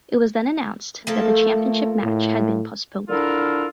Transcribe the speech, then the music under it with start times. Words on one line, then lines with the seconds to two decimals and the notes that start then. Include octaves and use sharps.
It was then announced that the championship match had been postponed.
1.07 F3 A3 A#3 A4
2.03 A2
3.08 D3 D4 E4 F4 A4 A#4